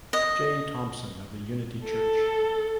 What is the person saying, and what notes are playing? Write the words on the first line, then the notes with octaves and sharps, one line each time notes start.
J. Thomson of the Unity Church.
D#5
A4